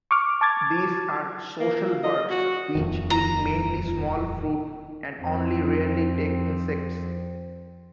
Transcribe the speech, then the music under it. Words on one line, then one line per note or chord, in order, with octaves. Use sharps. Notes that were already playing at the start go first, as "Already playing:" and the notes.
These are social birds which eat mainly small fruit and only rarely take insects.
C#6 D6 F6
A5 D6 G#6 A6
A#3
D#5
F#4
D#1 F2 D#3
A#5
F2 C4